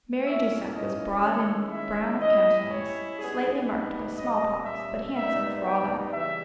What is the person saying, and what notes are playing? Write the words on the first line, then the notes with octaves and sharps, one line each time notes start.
Mary Dusak was broad and brown of countenance, slightly marked by smallpox, but handsome for all that.
A#2 A#3 C#4 E4 E5
D#5
D#3 G#3 C#4 E4 C#5
E5
G3 C#4 E4 D#5
C#5
G3 B3 D#4 G#4
B4
A#2 G3 C#4 D#5
E5
A#2 G3 B3 D#4 E5
G5
C#3 E3 G3 E5